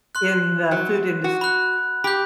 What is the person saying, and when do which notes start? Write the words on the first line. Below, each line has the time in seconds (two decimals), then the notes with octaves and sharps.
in the food indust
0.15 C6 F#6
0.71 F#3
1.24 F#4
1.41 B5 F#6
2.04 G4 B5 G6